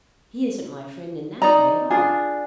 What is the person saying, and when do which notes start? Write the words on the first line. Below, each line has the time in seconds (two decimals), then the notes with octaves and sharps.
"He isn't my friend in that way at all."
1.42 D#4 D5 A#5
1.90 D4 F4 G#4